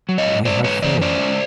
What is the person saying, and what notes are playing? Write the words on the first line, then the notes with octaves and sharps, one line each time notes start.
I have failed.
F#3
C#5 D#5
G#2
G#3 C5 D5
G#2 B4 C#5
E3 C5 D5
C#4 C5 D5
G#3